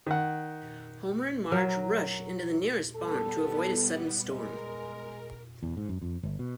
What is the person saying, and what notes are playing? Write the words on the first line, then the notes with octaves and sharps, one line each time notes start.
Homer and Marge rush into the nearest barn to avoid a sudden storm.
D#3 F#5
F#3 A#4
G3 B3 A4
G#3 A#4
E2
G#2
F#2
F2
G1
B2